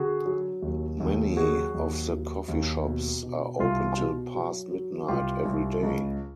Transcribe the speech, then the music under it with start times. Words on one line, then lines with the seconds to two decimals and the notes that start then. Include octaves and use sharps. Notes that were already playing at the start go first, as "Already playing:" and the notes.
Many of the coffeeshops are open till past midnight every day.
Already playing: D3 F#4 G#4
0.26 F#3
0.62 D#2
1.00 D#2
1.37 F#3 F#4 G#4
1.74 D#2
2.11 F#3
2.48 D#2
2.85 B2
3.23 B2
3.59 C2 F4
3.97 B2
4.35 F#3
4.71 F#3
5.08 C2 F4 G4
5.45 C2
5.83 C#2